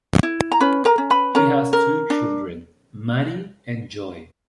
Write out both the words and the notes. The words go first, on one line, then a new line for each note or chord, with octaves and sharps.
He has two children, Madi and Joey.
E4
A#5
C#4 B4 B5
A#4 A#5
C#4
B4 B5
C#4 A#4 A#5
A#4
D4